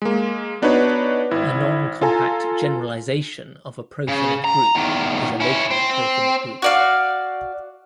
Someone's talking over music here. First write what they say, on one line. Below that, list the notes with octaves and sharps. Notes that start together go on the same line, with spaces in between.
A non-compact generalization of a profinite group is a locally profinite group.
G#3 A#3
B3 D4 D#4 F#4 B4 C#5
G#1 E4
F4 A4 G#5 A#5
C#3
A#5
E2 D#3
C#4 E4
C4
C4
F#4 D5 F5